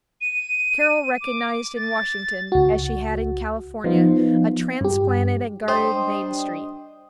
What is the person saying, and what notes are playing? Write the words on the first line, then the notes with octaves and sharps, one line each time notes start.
Carol recognized in Washington as she had in California a transplanted and guarded Main Street.
D#7
D6
A6
C#2 F#4
F3 B3 D#4 F4
G2 G4
G3 D4 C5 D#5 G5 C6 D#6